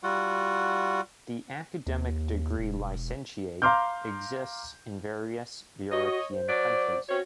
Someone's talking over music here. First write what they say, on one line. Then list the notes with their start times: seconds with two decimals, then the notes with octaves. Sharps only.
The academic degree licentiate exists in various European countries.
0.03 G3 F4 F#4 F#5
1.86 D#2
2.58 E1
3.62 F5 A#5 C6 D6 F6 G6
5.92 F#4 C#5 D#5
6.31 C5
6.48 F#3 D5
7.09 C4 C#4 F#4 C#5